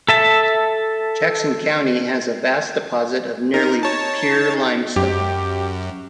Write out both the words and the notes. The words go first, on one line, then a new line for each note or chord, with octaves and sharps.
Jackson County has a vast deposit of nearly pure limestone.
A4 E5 A5
D#4 A#4
C#5 A5
F#2 G4